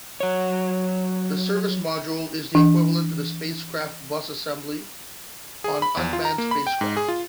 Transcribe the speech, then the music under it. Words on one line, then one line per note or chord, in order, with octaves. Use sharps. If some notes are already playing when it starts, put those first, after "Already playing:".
The service module is the equivalent to the spacecraft bus assembly on unmanned spacecraft.
F#3 C#5
E3 D4
G#4
B5
E2
F4
A#5
A#3
B5
G5
G#2
G#4
F4